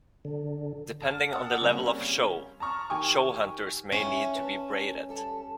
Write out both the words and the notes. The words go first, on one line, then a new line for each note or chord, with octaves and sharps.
Depending on the level of show, show hunters may need to be braided.
D3
A5 F6
F#5 A5 D#6 E6
C#3 G3 A#3 C4 C#4
A5 A#5 C#6 F6
D#3 G4 G5 G#5 C#6
C#4 D#4 E4
B4 A5
G3 A4 A5